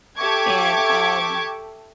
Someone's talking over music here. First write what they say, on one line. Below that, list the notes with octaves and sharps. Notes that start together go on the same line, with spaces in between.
And, um,
G4 A4 E5 C#6 D6 G#6